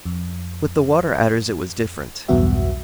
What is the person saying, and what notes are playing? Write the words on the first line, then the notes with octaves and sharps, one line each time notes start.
With the Water-Adders it was different.
F2
B1 E2 G2 B3 F#4 E5